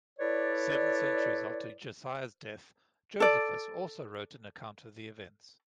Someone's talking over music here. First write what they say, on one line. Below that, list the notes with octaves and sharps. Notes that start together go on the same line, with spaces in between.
Seven centuries after Josiah's death, Josephus also wrote an account of the events.
E4 A4 B4 C#5 D5
A4 D5